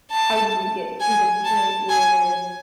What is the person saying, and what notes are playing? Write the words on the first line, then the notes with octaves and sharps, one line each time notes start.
How did we get to the point where
A5
G#5
A5
G#5